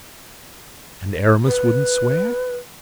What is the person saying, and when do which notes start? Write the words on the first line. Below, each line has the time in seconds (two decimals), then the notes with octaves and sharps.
"And Aramis wouldn't swear?"
1.46 B4